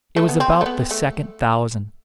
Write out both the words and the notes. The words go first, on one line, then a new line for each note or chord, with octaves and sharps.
It was about the second thousand.
A3
B3
C4
A3
B3
A3